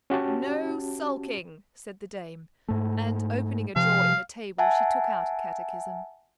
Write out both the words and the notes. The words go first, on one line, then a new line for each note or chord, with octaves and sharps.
"No sulking!" said the dame; and opening a drawer in the table, she took out a catechism.
C#4 F#4 G4 A5
G#2 A3
C3 F3 F5
E5 F#5 G#5 A5